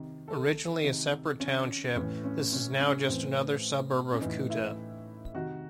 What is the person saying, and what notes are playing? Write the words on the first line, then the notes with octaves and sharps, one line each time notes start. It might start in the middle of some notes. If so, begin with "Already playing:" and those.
Originally a separate township, this is now just another suburb of Kuta.
Already playing: C3 D#3
A4
C3 D#3
C#4
A2 E3 C#4
C#4
C#4
C#4
A2 E3 C4
C#4
A2 E3 D#4
E4
C3 D#3 F#4